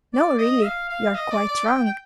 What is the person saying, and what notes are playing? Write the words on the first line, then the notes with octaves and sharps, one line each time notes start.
'No; really you are quite wrong.
D5
D#5
F5
F5
D#5
D5
D5
G5
G5